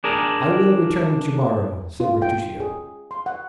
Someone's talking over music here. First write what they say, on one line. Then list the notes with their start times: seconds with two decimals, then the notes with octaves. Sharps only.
"I will return to-morrow," said Bertuccio.
0.04 D4 G#4 A#4
2.00 F4
2.22 G5
2.60 G#4
3.11 C6
3.26 F#5